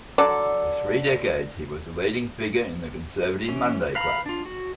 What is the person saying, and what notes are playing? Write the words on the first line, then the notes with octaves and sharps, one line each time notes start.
For three decades, he was a leading figure in the Conservative Monday Club.
D3 F#3 A4 D5
E3 C#4
B4 F5 A#5 B5
D4 F4
F#4